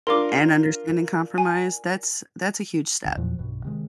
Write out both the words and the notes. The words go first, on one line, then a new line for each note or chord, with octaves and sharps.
and understanding compromise, that's that's a huge step.
D4 F4 A#4 C6 D6
G#5
C#2 D3
E2 A#2 F3 F#3
B1 G2 B2
C3 D#3 F3 G#3